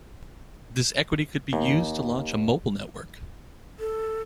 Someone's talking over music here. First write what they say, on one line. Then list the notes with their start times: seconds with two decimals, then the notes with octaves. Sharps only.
This equity could be used to launch a mobile network.
1.53 D#2
3.80 A4